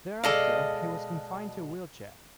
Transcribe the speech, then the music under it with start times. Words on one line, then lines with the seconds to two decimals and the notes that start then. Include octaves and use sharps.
Thereafter, he was confined to a wheelchair.
0.24 B2 G#3 A4 D5 D#5 F5